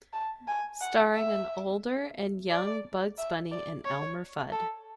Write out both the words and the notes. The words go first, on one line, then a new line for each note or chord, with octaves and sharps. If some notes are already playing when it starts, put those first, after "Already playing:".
Starring an older and young Bugs Bunny and Elmer Fudd.
A5
G#5
F#5
E5
D5
E5
D5
C#5
A4